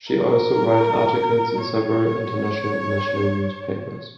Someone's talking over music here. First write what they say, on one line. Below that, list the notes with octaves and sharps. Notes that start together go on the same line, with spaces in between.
She also write articles in several international and national newspapers.
A#4
C#5